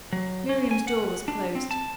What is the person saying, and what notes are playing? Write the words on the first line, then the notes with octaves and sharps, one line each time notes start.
Miriam's door was closed.
F#3
C#4
G#5
F#5
D4
C4
A5